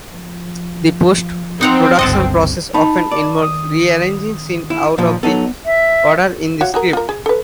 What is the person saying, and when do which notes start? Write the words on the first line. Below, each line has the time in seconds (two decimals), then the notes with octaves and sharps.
This post-production process often involves rearranging scenes out of the order in the script.
0.12 F3
1.61 C4 D#4 F#5 A#5
1.99 G1 C#2 D#5 F#5 A5
2.74 D#4 A5 B5
3.11 D5
3.42 D#3 D#6
4.70 E4
4.98 A#2 F3
5.23 F#3 B3 D#4 A4
5.65 E5
6.61 F#4 C#5 F5
6.74 F#4 G#4 A#4
6.93 F4 A#4
7.09 G#4
7.26 A4 B4